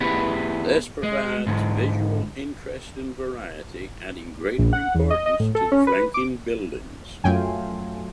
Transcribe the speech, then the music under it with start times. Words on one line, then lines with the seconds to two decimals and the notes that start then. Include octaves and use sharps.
This provides visual interest and variety, adding greater importance to the flanking buildings.
0.01 B3 E4 G4 G#4
1.03 G#3
1.47 G#2 D3
4.58 A#1
4.73 F#5
4.95 E2
5.10 D#5
5.26 D#5
5.40 A2
5.55 A4
5.72 C#4
5.87 B4
6.14 D6
7.24 F#2 F#3 A3 F4 G5 G#5